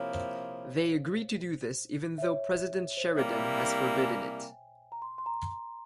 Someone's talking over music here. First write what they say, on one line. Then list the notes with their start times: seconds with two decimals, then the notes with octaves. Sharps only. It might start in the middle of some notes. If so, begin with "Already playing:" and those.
They agree to do this even though President Sheridan has forbidden it.
Already playing: C3 F3 A#3 E4 C#5 F5
0.12 C5
2.18 E5
2.22 C#5
2.97 C5
3.07 C#5
3.15 C3 G3 A#3 E4 E5
4.03 G#5
4.09 G5
4.92 A#5
5.02 C6
5.18 C6
5.26 A#5